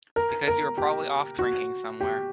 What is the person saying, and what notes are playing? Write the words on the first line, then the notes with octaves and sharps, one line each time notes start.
Because you were probably off drinking somewhere.
A#4
A#4
G4
F#4
G4